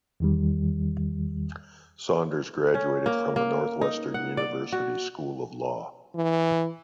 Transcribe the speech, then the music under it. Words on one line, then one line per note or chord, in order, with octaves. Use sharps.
Saunders graduated from the Northwestern University School of Law.
E2 D#3 G3
C#4
A#3
A#3
D#4
F#5
D5
F#4
E3